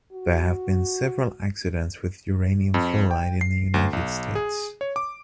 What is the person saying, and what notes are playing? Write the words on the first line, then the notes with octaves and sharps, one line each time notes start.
There have been several accidents with uranium fluoride in the United States.
F#4
F2
G5
C7
D2
B1
G#4
C#5
D6